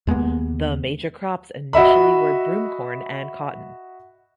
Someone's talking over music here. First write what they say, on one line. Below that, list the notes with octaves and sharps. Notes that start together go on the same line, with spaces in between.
The major crops initially were broomcorn and cotton.
D#2 G#3 A#3 B3
F#4 D#5 E5 B5